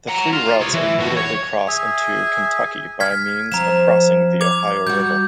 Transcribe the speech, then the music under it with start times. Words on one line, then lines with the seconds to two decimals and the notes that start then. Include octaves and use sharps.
The three routes immediately cross into Kentucky by means of crossing the Ohio River.
0.08 F#5 A#5
0.33 F4
0.62 C#5 D#5
0.74 E3
0.99 A2 F#4
1.17 C#5
1.67 G#4 E5 G#5
3.00 F6 G#6 B6
3.52 F3 C4 A#5 E7
4.41 D6 G#6 F7
4.87 G3 F#4 G6